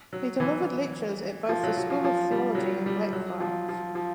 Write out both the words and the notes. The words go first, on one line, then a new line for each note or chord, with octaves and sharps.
He delivered lectures at both the School of Theology and Blackfriars.
F#3
E3
F3
F#3
F#3
F3
F3
G3
F#3
G3
G3
F#3
F3
F3
F3